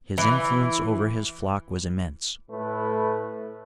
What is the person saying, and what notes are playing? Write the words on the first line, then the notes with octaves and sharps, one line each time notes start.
His influence over his flock was immense.
E3
A2 A3 B4